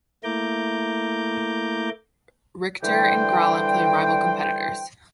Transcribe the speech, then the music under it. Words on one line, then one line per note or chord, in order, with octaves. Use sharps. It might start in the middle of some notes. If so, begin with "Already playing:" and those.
Richter and Gralla play rival competitors.
A3 A#3 E4 A#5 D6 G6
D3 E3 G3 C5 G5